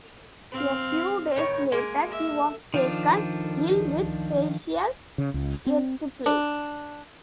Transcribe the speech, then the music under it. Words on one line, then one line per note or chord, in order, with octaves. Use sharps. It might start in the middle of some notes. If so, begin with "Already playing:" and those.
A few days later, he was taken ill with facial erysipelas.
C4 F5
A2 D#3 C#5
G#3 A#3 G#5
E5
D#3 F3 D4
C#3
C#2
C4
D4